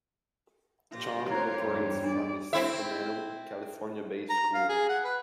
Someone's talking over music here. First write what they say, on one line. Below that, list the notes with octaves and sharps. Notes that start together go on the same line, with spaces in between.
Chong operates from his Sacramento, California-based school.
A#2 F4 G4 A#6
A3 C4 E4 A#4 C5 C#5
E2 G2 G3
D4 D5
C4 E4 E5
A#5
F5
G#4
F#5
B4